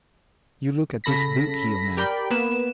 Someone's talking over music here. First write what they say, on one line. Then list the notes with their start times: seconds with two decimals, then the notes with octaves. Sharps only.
You look at this boot heel, now.
1.04 C#3 A4 B5 A#6 B6
1.97 G4 A#4 D5 G5 B5
2.30 A#3 B3 B4 E7